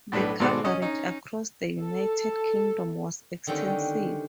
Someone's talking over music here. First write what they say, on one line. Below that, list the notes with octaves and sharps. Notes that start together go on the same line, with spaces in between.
The coverage across the United Kingdom was extensive.
B1 A2 D4 B4
G#1 G#2 B2 A4 C5 D5
C#4 D#5
C#4 D#4
A4
D3 D#3 G3 C4 C#4